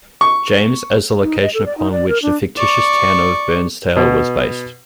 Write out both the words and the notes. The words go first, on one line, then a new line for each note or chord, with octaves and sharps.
James as the location upon which the fictitious town of Burnstow was based.
C#6
D#4
D#5
A4
D5
D#4
D5
A#4
D4
D5 C#6
B2